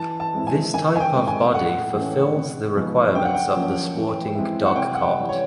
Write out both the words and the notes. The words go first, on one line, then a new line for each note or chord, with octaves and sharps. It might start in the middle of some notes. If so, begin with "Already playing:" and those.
This type of body fulfils the requirements of the sporting dogcart.
Already playing: E3 A5
A5
G#3 C4 E4
G#5
D#3 G#5
G#5
G5
G#3 C4
G#5
A2 F#5
E3 A3 C#4
C3
F3 G#3 B3 D#4
D3 G5
F#5
G5
F3 A#3 C#4
E3
G#3 C4 E4
F#5
C3 G5
F#5
G5
E3 G3
C#5